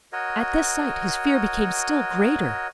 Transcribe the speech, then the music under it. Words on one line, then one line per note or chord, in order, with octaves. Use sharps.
At this sight his fear became still greater.
F#4 A#4 C#5 D#5